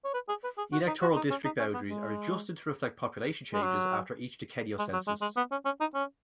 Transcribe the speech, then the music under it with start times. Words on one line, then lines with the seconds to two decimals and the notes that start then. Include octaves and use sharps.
Electoral district boundaries are adjusted to reflect population changes after each decennial census.
0.04 C#5
0.14 B4
0.29 G#4
0.44 B4
0.58 G#4
0.73 F#4
0.87 D#4
1.02 F#4
1.16 D#4
1.30 C#4
1.45 D#4
1.59 C#4
1.74 B3
1.89 G#3
3.54 G#3
3.63 F#3
4.79 G#3
4.93 F#3
5.07 G#3
5.22 G#3
5.37 B3
5.51 C#4
5.65 C#4
5.80 D#4
5.95 C#4